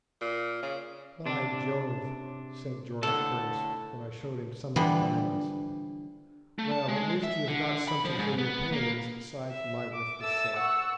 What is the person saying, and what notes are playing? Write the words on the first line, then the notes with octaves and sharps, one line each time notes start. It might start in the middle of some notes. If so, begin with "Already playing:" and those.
"By Jove!" said George Curtis, when I showed him some of the diamonds: "well, at least you have got something for your pains, besides my worthless self."
A#2
C#3
C3 D4
A2 D3 A4
D3 E3 F3 G3 B3 D4
A3
A5
G#3
E5
D3
B5
F3
G#2
B3
A#3
E5
D6
A4 E5 E6 A6
F#5 C#6 E6